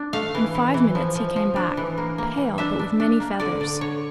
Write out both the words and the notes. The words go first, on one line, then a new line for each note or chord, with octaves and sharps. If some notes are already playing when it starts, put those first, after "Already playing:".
In five minutes he came back - pale, but with many feathers.
Already playing: D4
A3 F5
E3
E3
E3
F3
F3
F3
D4
E3
A#3
A#3
E3
D4 E5
D4
D4
A#3
D3 D5
D3 D5
D3 C#5